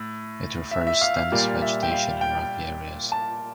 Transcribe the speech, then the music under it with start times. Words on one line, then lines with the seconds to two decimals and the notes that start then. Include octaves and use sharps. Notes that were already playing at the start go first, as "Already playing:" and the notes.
It prefers dense vegetation and rocky areas.
Already playing: A2
0.71 E5
0.87 E5
1.02 F5
1.17 F5
1.32 A#2 G3 A#3 F5
1.62 E5
1.83 G5
1.92 F5
2.21 G5
3.12 A5